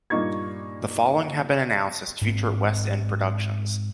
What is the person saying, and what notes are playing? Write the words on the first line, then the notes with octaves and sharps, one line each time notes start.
The following have been announced as future West End productions.
G2 A#2 A#3 D#4 C#6 G#6
G#2 C4